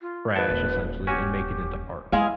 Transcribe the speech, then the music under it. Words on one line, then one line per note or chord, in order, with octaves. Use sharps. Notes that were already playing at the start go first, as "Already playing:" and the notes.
trash essentially, and make it into art
F4
G#1 B4 A5
D#1
C#4 F#4 G4 G#5
F#2 F#3 G#3 E4 G#4 F5